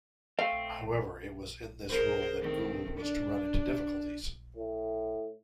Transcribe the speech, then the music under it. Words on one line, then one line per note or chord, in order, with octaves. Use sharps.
However, it was in this role that Gould was to run into difficulties.
A3 C4 F5
G#4 A#4 C5
D#3 A3 C4
D4
A2